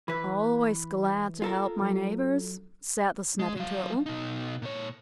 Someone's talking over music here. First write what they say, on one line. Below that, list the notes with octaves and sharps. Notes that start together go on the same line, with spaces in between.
"Always glad to help my neighbors," said the Snapping Turtle.
E3 B4 B5
F4 A4 A#4
F#3
G#3
F#3 F5
B2 D#4
A#2 C#5